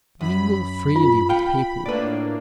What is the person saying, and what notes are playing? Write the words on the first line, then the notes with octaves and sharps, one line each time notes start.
Mingle freely with people.
F#2 B5
F4
F5 G5
A2 A#3 D4 B4 D5